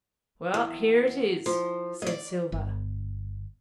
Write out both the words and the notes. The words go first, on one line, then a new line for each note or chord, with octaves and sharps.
"Well, here it is," said Silver.
E2
F3
D5 D#5
G1